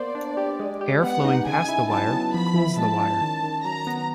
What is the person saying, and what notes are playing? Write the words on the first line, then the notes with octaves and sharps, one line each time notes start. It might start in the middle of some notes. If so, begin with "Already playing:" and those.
Air flowing past the wire cools the wire.
Already playing: A#3 B3 C5 D5
D4
G4
G#3
G4
B3 F#5
D#4
C#3 G#5
E4
F#3 A5
B3
F3 B5
E4
G#3 A5
C#4
D#3
D#3
F#3 A#5
B3